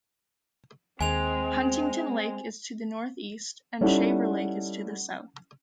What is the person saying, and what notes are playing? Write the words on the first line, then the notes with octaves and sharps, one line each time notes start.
Huntington Lake is to the northeast and Shaver Lake is to the south.
D#2 G#3 C4 G#5 F7
G3 C#4 D#4 E4 A4 F#5